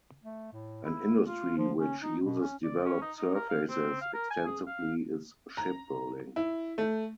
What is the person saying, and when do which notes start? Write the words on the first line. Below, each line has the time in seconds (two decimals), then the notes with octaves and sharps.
An industry which uses developed surfaces extensively is shipbuilding.
0.24 A3
0.53 A2
0.85 E4
1.26 F4
1.58 F3
1.78 C#4
2.03 D#4
2.24 B2
2.41 C#4
2.64 D5
2.85 C#4
3.01 D#4
3.19 D#4
3.35 A#4
3.49 F5
3.70 C4
4.01 F5
4.14 A#4
4.31 G#5
4.46 G#4
4.67 F5
5.57 A#5
6.36 E4
6.78 A3